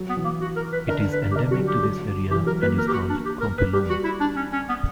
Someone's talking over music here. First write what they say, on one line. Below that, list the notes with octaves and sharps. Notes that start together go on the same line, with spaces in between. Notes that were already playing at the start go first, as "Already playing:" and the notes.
It is endemic to this area and is called Kompelloma.
Already playing: F#3
B3
E3
A#3
F#4
A#4
B4
D3 A#4
B4
G4
D3 A#4
F#3 F#4
G3
G4
F#3
E3 G4
F#3 A#4
A#3 B4
A#3 A#4
G4
F#4
D4
G4
A#4
B4
G3 G4
F#4
E4
D4
C#4
C#4
B3